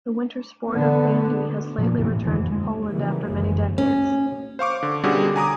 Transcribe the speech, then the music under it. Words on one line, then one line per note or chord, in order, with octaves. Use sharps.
The winter sport of bandy has lately returned to Poland after many decades.
D3 B3
A#2 F3 A#3
D#2 G#2 C3 E3
A2
E2 D3 E3
F2
G#3
C#3 E3 F#3 G3 A#3
G1 C#2 F#2 D3 E3 G#3
C#4
C5 F5 C#6 D6
D3
B2 D3 G3 C#4 F#4 G#4
G#5 A#5 D6 D#6